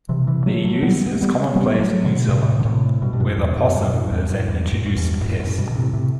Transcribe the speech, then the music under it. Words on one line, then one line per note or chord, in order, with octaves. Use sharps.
Their use is commonplace in New Zealand, where the possum is an introduced pest.
C3 E3
C3 E3
F#3 A3
F#3 A3
G3 B3
B3
A3
G3 B3
G3 B3
F#3 A3
B2 D3
A2 C3
D3
A2 C3
G2 B2
G2
F#2 A2
E2 G2
B2
F#2 A2
G2 B2
F#2 A2
E2 G2
F#2 A2
E2 G2
F#2 A2
F#2
E2 G2
F#2 A2
F#2 A2
G2 B2
D3
A2 C3
A2 C3